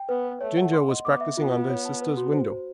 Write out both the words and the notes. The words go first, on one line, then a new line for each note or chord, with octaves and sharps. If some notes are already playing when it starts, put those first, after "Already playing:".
Ginger was practising under his sister's window.
Already playing: G5
B3 B4
B4
A3 C#5
F#5
C6
D#5
B3 D6
E5
B3 F4
F4
C#5
A5
B4
F#4
C5
C5